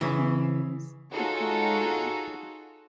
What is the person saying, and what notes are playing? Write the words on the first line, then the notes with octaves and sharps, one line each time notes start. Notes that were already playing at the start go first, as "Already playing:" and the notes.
Studios the following year.
C#3 E3
D#4 F4 F#4 G#4 A4 C#5